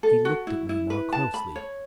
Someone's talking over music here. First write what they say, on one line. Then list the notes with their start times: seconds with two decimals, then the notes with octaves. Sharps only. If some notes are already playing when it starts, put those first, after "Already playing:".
He looked at me more closely.
0.03 A4
0.25 F#4
0.47 E4
0.69 E4
0.90 B4
1.13 A5
1.34 B5
1.56 C#5